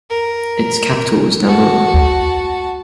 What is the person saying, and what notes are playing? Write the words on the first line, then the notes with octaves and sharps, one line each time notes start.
Its capital was Namur.
A#4
F#4 A5